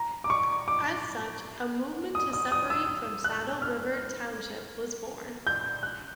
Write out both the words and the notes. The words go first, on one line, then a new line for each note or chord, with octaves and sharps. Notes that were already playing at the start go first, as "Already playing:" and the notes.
As such, a movement to separate from Saddle River Township was born.
Already playing: A#5
D6
C#6
D6
D#6
D#6
D#6
E6
F#6
F6
G6
F#6